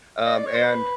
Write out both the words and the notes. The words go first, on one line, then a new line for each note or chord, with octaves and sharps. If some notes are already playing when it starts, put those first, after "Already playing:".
Um, and
D#5
D5
C#5
C5
B4